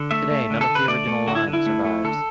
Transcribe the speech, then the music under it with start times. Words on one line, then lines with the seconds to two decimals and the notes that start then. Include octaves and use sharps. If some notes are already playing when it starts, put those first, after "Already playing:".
Today none of the original line survives.
Already playing: D3
0.11 A3 E5
0.31 A3
0.50 D3
0.61 A4
0.70 D3
0.75 B4
0.88 A3 D5
1.07 A3
1.27 D3 F#4
1.35 E4
1.47 D3
1.53 E4
1.66 A3
1.85 A3
2.04 D3 A4